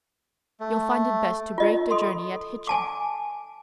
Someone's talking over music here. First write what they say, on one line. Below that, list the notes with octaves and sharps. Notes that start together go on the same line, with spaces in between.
You'll find it best to break the journey at Hitchin.
A3
F4 D#5
A4 C6
G#5 A5 D6